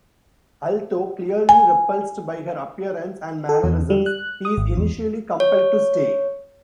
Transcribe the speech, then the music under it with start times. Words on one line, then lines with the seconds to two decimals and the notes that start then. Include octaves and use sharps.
Although clearly repulsed by her appearance and mannerisms, he is initially compelled to stay.
1.49 G#5
3.49 A4
3.63 E2
3.90 G3
4.06 F#6
4.45 D#6
4.57 G#1
4.77 E2
5.40 C#5